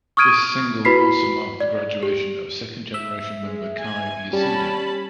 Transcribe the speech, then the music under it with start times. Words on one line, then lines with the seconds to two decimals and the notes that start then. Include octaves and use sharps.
This single also marked the graduation of second generation member Kei Yasuda.
0.17 C#6 D#6 F6 G#6 D7 D#7
0.85 E4 F#4 B4 B5 B6 C7
1.60 D5
2.03 G4
2.94 E5
3.42 G#3
3.80 G#5
4.33 G3 C#4 A5 B5